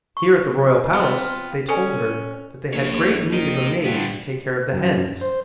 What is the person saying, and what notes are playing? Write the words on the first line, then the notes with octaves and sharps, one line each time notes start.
Here at the royal palace they told her that they had great need of a maid to take care of the hens.
C#6
B3 C4 F4
C#4 A4 G#5
A#1 F#2 C#5
A#1
A#4 D#5
D#2
G2 D3 B3
F#2
C5